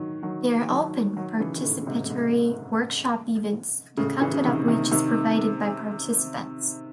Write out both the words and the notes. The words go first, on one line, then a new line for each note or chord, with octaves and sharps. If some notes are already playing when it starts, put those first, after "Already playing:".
They are open, participatory workshop-events, the content of which is provided by participants.
Already playing: D#3 F#3
D#3 F#3
D#3 F#3
D#3 F#3
C#3 E3
D#3
A2 C#3
C#3
G#2 C3
A2
G#2 C3
A2 C#3
C#3 E3
C#3
C3 D#3
C3 D#3
C3 D#3